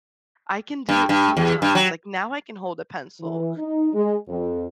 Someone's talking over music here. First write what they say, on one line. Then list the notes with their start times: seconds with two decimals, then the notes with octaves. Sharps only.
I can do it sometimes, like, now I can hold a pencil,
0.89 G2
1.09 G2
1.37 E2
1.62 G2
1.75 F#3
3.20 E3
3.57 D#4
3.93 G#3
4.28 F2